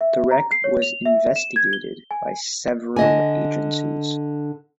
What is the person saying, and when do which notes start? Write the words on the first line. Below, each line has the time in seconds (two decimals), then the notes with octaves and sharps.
The wreck was investigated by several agencies.
0.01 E5
0.31 A#5
0.52 C7
0.64 C#5
0.82 F7
1.06 E5
1.36 E7
1.56 G#6
1.73 G7
2.11 G#5
2.96 D3 D#5 G#5